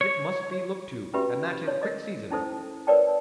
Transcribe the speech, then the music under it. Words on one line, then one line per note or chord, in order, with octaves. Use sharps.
It must be looked to, and that in quick season.
C#5
C#4 F#4 G4 B4 E5 B5
C#5
A#4 D#5
C#4 D#4 E4 A4 C5
A#4 B4 C#5 D5 G5 A5